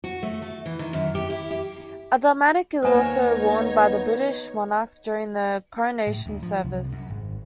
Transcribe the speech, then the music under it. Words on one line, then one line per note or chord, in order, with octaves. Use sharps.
A dalmatic is also worn by the British monarch during the Coronation service.
F#4
A3
A3
E3
D#3
F#2
G4
E4
G4
D#2 A#3 B3 D#4 C5 C#5 G#5 A5
A2
D2
F3
C2
F#2
G#1